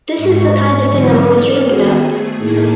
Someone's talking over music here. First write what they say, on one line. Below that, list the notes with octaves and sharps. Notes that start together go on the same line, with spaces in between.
This is the kind of thing I’ve always dreamed about.
G#2 C#6
D3 E3 F#3 C4 C#4 D#4
A4 D5 F6
D#3 B3 F#4 G#4 C5
A3 G#4
A2 A#3 D#4 E4 G#4 A4